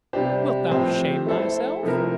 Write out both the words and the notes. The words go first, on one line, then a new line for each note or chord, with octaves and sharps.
Wilt thou shame thyself?
C3 G3 D4 G4 C5
A2 F3 C4 G4 C5
A3 E4 A4 C5
C3 F3 A3 E4 A#4